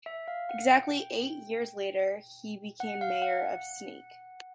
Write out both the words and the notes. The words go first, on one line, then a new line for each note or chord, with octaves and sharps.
Exactly eight years later he became mayor of Sneek.
E5
F5
F#5
G5
F#5
F5
F#5